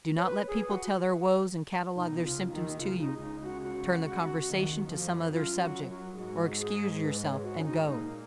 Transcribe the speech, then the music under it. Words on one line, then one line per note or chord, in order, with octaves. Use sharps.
Do not let people tell their woes and catalogue their symptoms to you; turn the conversation to some other subject, or excuse yourself and go.
C#5
B4
G#4
F#4
B1 B2 D#4
C#2 C#3 F4
D#2 D#3 D#4
C#2 C#3 F4
D#4
D#4
F#4
F#4
D#2 D#3
F2 F3
F#2 F#3 F4
F#4
F#4
G#2 G#3 F#4
G#4
B4
C#5
F#4
C#4
D#4
A#2 A#3 D#4